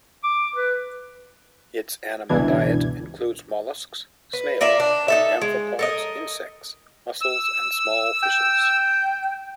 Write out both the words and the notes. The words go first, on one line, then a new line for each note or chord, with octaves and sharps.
Its animal diet includes mollusks, snails, amphipods, insects, mussels and small fishes.
D6
B4
G1 C#2 B2 E3 D4 G#6
B4
F4 A#4 D5 E5
D4
D#4 A4 E5
G#3
A4 A#4 D#5
E6
G5